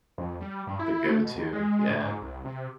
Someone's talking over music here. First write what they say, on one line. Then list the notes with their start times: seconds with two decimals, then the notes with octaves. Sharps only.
The go-to. Yeah.
0.18 F2
0.40 G3
0.67 G2
0.79 E4
1.09 A3
1.23 B2
1.35 D#2
1.53 G#3
1.89 A2
2.01 G#2
2.22 C2
2.45 C3